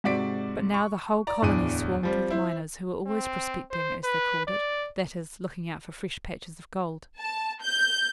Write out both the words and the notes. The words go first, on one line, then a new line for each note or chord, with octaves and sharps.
But now the whole colony swarmed with miners, who were always prospecting, as they called it--that is, looking out for fresh patches of gold.
G#2 C3 F#4 D5 B6 D7
C#6
D5 A#5
D1 E2 D4 D#7
F3 G3 C4
E4 C5
C4
C5
B4
D5
A5
G6